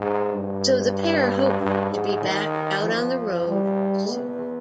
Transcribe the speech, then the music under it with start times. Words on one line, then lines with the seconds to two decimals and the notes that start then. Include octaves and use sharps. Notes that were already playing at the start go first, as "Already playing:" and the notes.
So the pair hoped to be "back out on the road" soon.
Already playing: G#2
0.36 G2
1.60 G2
1.92 G#2
2.23 D#3
2.85 F3
3.48 G3
4.10 B3